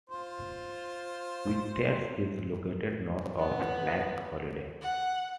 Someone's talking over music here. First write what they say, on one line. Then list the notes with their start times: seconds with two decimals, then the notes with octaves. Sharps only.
Whitacre is located north of Lake Holiday.
0.10 F4 C5
3.38 B3
4.81 F#5